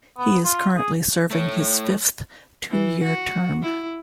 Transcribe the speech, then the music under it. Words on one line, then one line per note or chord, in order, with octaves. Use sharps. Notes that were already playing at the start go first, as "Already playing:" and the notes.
He is currently serving his fifth two-year term.
B3
F4
G#4
A3 C#5
E3
F#4
E4